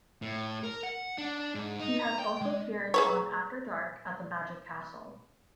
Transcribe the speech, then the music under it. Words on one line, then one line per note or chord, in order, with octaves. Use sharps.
He has also appeared on After Dark At The Magic Castle.
A2
A#4
F#5
D4
G#2
D#4
A#5
G5
G#3
G#4 B4 C#5